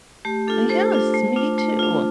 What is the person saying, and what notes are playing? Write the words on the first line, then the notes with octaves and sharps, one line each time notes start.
Ah, yes, me too.
A3 G4
D4 F4 A4
A3 C5
D4 F4
A3
D4 F4
A3
D4 F4